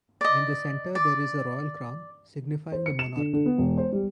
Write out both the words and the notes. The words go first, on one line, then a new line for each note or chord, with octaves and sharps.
In the centre there is a Royal Crown, signifying the monarchy.
D5 D#5
D5
C5
C#7
E7
D3
D3
B3
E1
C5
G3